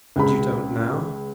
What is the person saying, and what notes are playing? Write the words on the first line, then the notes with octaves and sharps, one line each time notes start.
"And you don't now?"
C#2 G#3 B5